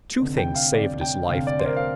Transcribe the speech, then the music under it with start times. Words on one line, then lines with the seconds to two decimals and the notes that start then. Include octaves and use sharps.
Two things saved his life then.
0.19 F1 F2 D3
0.37 G5
0.55 F5
0.74 F1 F2 D3 D5
1.01 G5
1.29 F1 F2 D3 F5
1.47 D5
1.59 C5
1.65 A#4
1.77 F5